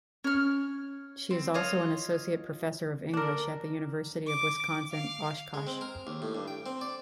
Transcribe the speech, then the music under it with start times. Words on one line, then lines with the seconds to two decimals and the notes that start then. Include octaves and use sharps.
She is also an Associate professor of English at the University of Wisconsin-Oshkosh.
0.24 C#4 C#5 F6
1.31 C4
1.54 F4 C#5 D#5
3.13 D4 A#4
4.27 D6
4.92 F5
5.54 G#3
5.67 C4
5.81 A#4
6.07 D#2
6.22 A2
6.35 G2
6.48 G5
6.66 C4
6.81 D5